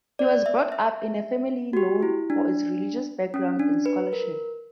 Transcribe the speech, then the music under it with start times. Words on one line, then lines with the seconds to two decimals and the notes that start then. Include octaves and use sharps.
He was brought up into a family known for its religious background and scholarship.
0.19 D5
0.46 E5
0.72 E5
1.73 F#4
1.77 G4
2.03 E4
2.30 D4
3.34 C#4
3.59 D4
3.86 B4
4.13 A#4